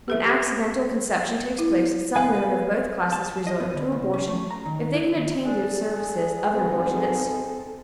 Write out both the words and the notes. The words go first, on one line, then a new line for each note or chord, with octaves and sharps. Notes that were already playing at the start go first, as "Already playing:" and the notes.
When accidental conception takes place, some women of both classes resort to abortion if they can obtain the services of an abortionist.
G4 A4 E5
E4
B4 F5 G#5
A5
D#5
B3
D3
C2
C#4
A3
A#5
D#3
E4
D#3
D4 G#4 A4
D2 G#2 B2 C4 A4